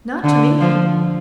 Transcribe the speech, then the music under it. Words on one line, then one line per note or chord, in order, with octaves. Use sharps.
"Not to me."
D3
F3